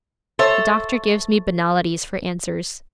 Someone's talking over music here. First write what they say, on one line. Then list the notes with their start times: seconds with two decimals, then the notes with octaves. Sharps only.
The doctor gives me banalities for answers.
0.39 A4 C5 C#5 E5